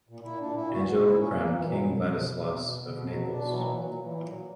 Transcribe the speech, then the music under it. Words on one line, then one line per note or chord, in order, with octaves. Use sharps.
Angelo crowned king Ladislaus of Naples.
A#2
A#2 E4
A#2 D4
A#2 E4
A#2 F#4
A#2 F#4
A#2 E4
A#2 C#4
A#2 A#3
A#2
E3
B2 F#3
B2
B2
B2
B2
B2
B2
B2
B2
B2 F#3
B2
D4
B2
E3
A#2 F#3
A#2 E3
F#3
A#2
A#2 E3
A#2
F#3
A#2